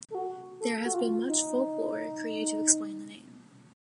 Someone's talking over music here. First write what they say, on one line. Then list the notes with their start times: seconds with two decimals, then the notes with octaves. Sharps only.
There has been much folklore created to explain the name.
0.10 A4
0.15 F#4
0.60 A4
0.86 F#4
0.94 F4
1.28 D#4